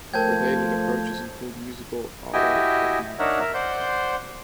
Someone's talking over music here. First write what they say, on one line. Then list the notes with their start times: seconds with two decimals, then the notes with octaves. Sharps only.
Related approaches include musical autoethnography.
0.13 F3 A3 A#4 C5 G5 A5 G6 G#6
2.33 E4 F#4 G4 D#5 G5 G#5
3.19 D4 D#4 A#4 C#5 E5 F#5
3.40 A#4 E5
3.54 C5 D5 F#5 C6 G6